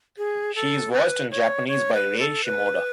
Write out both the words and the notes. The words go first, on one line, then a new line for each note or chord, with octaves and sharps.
She is voiced in Japanese by Rei Shimoda.
G#4
A4
B4
C#5
C#5
B4
A4
B4